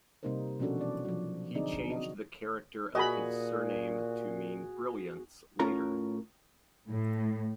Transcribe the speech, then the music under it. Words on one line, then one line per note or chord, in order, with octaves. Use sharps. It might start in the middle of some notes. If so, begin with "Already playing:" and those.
He changed the character of his surname to mean "Brilliance" later.
C3 G3 A#3 D#4 A#4 C5
B2 F3 C#4 D4 F#4 A4
E3 A4 D5
F3 F#3
D3 C4 D4 D#4 G#4 D5
F#4 D#5
A#2 F#4 G#4 D#5 B5
A2 C#4 F4 A#4 A#5
A2